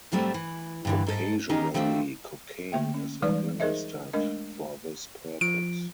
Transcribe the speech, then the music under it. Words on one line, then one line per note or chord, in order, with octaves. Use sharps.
Occasionally, cocaine is administered for this purpose.
A2 F#3 G3 A3 C4
E3
G2 D3 E3
G#2 A4
D#3 C#4 D#4 G4 A#4
D#3 F3 A3 C4 D4
D3 A3 A#3 E5 G5
C#4
E3 G3 G#3 D#4 B4 D5
D#4 G#4 A#4 C5 D#5 E5
G#3 A3 D4 A#4 D#5
F3 D7